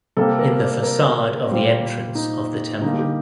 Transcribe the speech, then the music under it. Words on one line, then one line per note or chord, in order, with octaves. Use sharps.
In the facade of the entrance of the temple.
C3 G3 A#3 A4
A#4
D5
A#4
A#2 G3 A#3 C5
D#4
D3 G3 A#3 D#4
G4